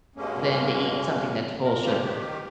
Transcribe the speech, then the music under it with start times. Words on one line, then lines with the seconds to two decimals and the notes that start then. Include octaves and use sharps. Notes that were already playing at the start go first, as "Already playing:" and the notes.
than to eat something that's full of sugar.
0.16 G2 B2 D3 G#3 A#3 C#4
1.63 A#2 A#4
1.84 C#3 F3 F4 G4
2.03 D#3 G4